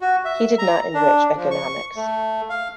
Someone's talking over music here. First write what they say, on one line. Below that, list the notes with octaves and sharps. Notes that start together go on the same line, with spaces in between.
He did not enrich economics.
F#4
E5
A#5
D4
F3
C#6
A3
F5